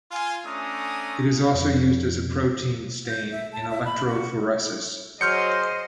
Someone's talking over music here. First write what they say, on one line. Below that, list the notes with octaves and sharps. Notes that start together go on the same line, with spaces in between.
It is also used as a protein stain in electrophoresis.
F4 G#5
A3 C#4 D4 G#5 A#5 D#6
F2
G6
E5
A5
E5
B5
F#4
F#3 G#4 C5 D#5 C6 F6 G6 C#7